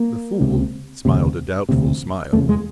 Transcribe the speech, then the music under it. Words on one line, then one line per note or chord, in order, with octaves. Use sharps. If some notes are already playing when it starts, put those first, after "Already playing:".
The Fool smiled a doubtful smile.
Already playing: A#3
C#2 C3
E1 D2 C3
E1 D2 C3
F1 E2 C#3 A3
G#3